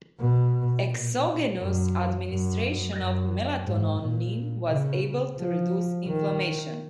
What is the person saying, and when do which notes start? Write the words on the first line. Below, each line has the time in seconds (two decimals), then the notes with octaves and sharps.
Exogenous administration of melatonin was able to reduce inflammation.
0.19 B2
0.88 A#2
1.58 F#2
2.27 F#2
2.96 F#2
3.65 G#2
3.99 A#2
4.68 C#3
5.37 F3
6.07 D#3